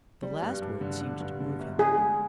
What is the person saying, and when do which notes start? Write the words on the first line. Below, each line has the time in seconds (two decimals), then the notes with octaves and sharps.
The last word seemed to move him.
0.23 G3
0.43 G2
0.62 G2
0.81 D3
1.01 D3
1.20 G2
1.40 D3
1.59 G1
1.78 D3 G#4
1.98 G#3